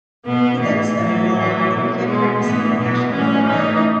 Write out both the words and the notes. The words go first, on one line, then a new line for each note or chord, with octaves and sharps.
He then studied law and began practicing in Ashland, Ohio.
B2 B3
A2 E3
A2 E3 F#3
A2 E3
B2
B2 G#3
A2 E3 B3
B2 B3
A2 E3 C#4
A2 E3 D#4